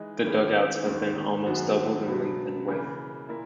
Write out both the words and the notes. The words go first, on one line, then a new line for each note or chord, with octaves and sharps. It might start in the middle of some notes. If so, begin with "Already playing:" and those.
The dugouts have been almost doubled in length and width.
Already playing: E3 G#3 D#4
D#3 A#3 C#4 E4 G#4
D#2 D#3 G#3
F#2 D#3 G#3 B3 F#4
C#2 B2 F#3
C#3 E3 A#3
A#2 A#3 E4 A#4